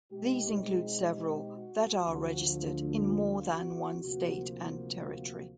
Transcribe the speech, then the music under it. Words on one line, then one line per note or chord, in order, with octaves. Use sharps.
These include several that are registered in more than one State and Territory.
B2 G#3 C4 D#4 G4
G#4
G4
F#4
D2 D3 F3
F4
F#4
D2 C3 F3 A#3 F#4
F#4
F#4